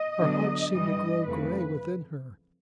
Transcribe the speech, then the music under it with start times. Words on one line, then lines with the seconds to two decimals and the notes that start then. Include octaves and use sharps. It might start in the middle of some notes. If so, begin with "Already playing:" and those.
Her heart seemed to grow gray within her.
Already playing: D#5
0.18 D3 F#3 B3 D4
0.72 G2 E3 G3 D#5
1.26 F2 C#3 E3 A3 B4